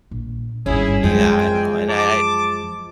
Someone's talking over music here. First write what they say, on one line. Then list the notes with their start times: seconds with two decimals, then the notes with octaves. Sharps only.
Yeah, I don't know, and I I
0.11 A#1
0.66 G#1 G2 C#4 E4 G#4
1.04 F#2 F3 G#3 C4 G5 G#5
1.90 A5 D6